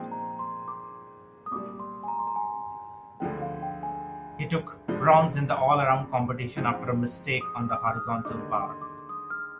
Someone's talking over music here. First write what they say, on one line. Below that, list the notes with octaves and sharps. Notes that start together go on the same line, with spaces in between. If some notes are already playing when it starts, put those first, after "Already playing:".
He took bronze in the All-Around competition after a mistake on the horizontal bar.
Already playing: A#2 F3 G#3 C4 D#4 G5
A#5
C6
D6
D#6
C2 A#2 G3 D6
C6
G#5
A#5
C6
A#5
G#5
D2 D3 F3 G#3 G5
F5
G5
G#5
G2 D3 F3 G#3 D4
D6
G#2 F3 G#3 C4
D#6
D#6
F6
D#6
D#2 D3 G#3 D#4 D6
C6
D6
D#6
F6